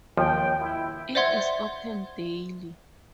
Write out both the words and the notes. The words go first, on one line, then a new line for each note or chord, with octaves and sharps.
It is open daily.
D#2 F3 G5
E4
C5 D5 E5 F#5 C6 G#6